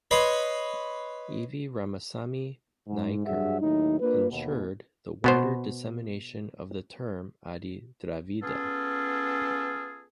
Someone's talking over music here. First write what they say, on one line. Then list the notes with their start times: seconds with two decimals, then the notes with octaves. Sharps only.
E. V. Ramasami Naicker ensured the wider dissemination of the term "Adi Dravida".
0.11 B4 C#5 D#5 B5 C6
2.88 G#2
3.26 G2 F#3 D4 G#4 E5 F#5
3.61 D#2 A2 F#3 D#4
4.00 A#3 D4 F4 B4
4.30 D#2 B2
5.24 B2 B3 C5
8.43 B3 C#4 F4 G#4 A4